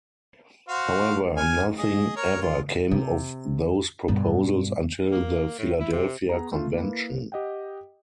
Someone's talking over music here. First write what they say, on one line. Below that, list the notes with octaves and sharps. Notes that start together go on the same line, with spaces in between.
However, nothing ever came of those proposals until the Philadelphia Convention.
F#4 C5 F5
G#5 F6
G#4 D#5
A#4 C#5
F4
C3
G2 B2
A#3
A2
E4
C3
B3 G#4 A#5
A3 F4
A#3 E4 B4
G4 D#5 F#5 G5